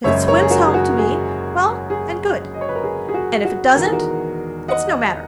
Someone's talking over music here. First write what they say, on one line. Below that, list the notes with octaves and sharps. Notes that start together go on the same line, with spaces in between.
If it swims home to me, well and good; and if it doesn't, it's no matter.'
F#1 F#2 C#3 G#3 C#5 E5
A#4 C#5
G#4
F#4 A#4
G#4
F#4 A#4
G#4
G#4
D#5
C#5
B4
A#4
G#4
G#4
F#4
F#4
E1 E2 D#3 A#4
G#4
F#4 A#4
D#5 F#5